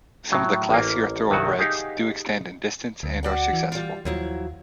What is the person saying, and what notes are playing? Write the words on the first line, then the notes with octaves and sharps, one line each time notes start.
Some of the classier thoroughbreds do extend in distance and are successful.
A2 F#3
A1 A#3
C2 G2 D#3 F#3 F#4
D#4 G4 G#4 F5 F#5
D2
F#4 D5 F#5
E3
G3 F4
D#2 F3 F#3 E4